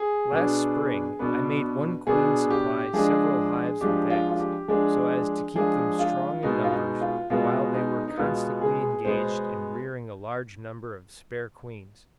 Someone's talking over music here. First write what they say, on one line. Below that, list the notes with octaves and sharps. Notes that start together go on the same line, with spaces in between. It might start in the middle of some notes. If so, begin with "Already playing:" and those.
Last Spring, I made one queen supply several hives with eggs, so as to keep them strong in numbers while they were constantly engaged in rearing a large number of spare queens.
Already playing: G#4
B2 B3 D4
B2 B3 D4 B4
B2 B3 D4 G#4
G4
F3 G#3 D4 G#4
F3 G#3 D4 G4
F4
F4
G4
F3 G#3 D4 G#4
F3 G#3 D4 G#4
F4
B2 G#3 B3 D#4
F4
D#4
F4
B2 G#3 B3 F4
D#4
D#4
B2 G#3 B3 F4
G#4
B2 G#3 B3 C5